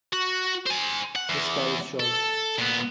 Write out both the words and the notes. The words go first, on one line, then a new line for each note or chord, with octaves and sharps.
The scar is short.
F#4
C5 G#5
F#5
E2
A4
A#2 B3